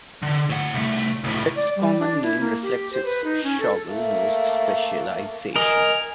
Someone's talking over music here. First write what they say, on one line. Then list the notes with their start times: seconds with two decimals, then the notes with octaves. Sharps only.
Its common name reflects its shovel nose specialisation.
0.22 D3
0.50 A2 F#5
0.74 C2 A3
1.24 C#2 A2
1.56 D5
1.76 G3
1.99 D4
2.22 E4
2.40 A#3
2.62 G4
2.93 C5
3.05 B4
3.24 D#4
3.43 C#4
3.60 A4
3.92 A3 A#3
5.56 A#4 D#5 G#5